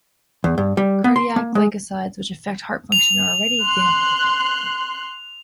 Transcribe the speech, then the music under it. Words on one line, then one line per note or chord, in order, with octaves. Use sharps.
Cardiac glycosides, which affect heart function, are a ready example.
E2
G2
G3
B3
C6
A#3
G#3
F7
C6 F#6